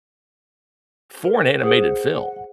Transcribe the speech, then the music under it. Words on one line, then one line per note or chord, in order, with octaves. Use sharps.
for an animated film,
A#4
G#4 C5 F#5 D#6